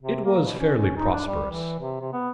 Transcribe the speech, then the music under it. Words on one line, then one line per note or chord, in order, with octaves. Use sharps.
It was fairly prosperous.
C3
A#3
B2
C#4
C#4
D#4
D4
G3
E3
C3
C3
B3